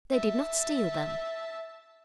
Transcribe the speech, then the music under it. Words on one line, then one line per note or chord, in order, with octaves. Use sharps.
They did not steal them.
E5 A5